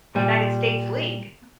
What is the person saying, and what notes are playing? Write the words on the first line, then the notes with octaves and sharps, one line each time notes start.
United States league,
A#2 G3